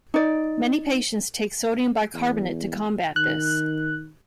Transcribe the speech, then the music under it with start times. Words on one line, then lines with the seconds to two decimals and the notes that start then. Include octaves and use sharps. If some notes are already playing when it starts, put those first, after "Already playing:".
Many patients take sodium bicarbonate to combat this.
0.14 D#4 D5
2.14 E2
3.16 D#3 F#6